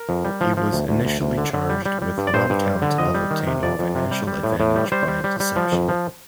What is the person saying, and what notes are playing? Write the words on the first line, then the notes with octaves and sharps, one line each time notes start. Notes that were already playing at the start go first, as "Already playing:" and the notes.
He was initially charged with one count of obtaining financial advantage by deception.
Already playing: A#4
F2
G3
F3
F3
D2
D2
D2
D2
D3
D3
G3
G3
G3
G2
D5
G2 C5
G2
G3
D3
F2 D#5
G3
D#3
C3
F2 D5
F2
C3
G3
G3
A2
A2
G3
G3 C5
G3
G3
G3
F3
F2
F3